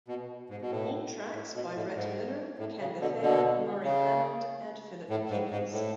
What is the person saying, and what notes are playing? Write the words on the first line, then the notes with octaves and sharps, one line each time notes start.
All tracks by Rhett Miller, Ken Bethea, Murry Hammond and Philip Peeples.
B2
G#2
B2
A2
A2
B2
A2
G#2
A2
C#3
B2 D3
B2 D3
C#3
A2
G#2
G#2
A2